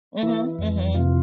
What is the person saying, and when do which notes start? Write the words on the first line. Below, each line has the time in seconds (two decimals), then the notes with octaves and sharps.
Mhm, mhm.
0.23 E3 E4
0.59 F2
0.94 C3 F4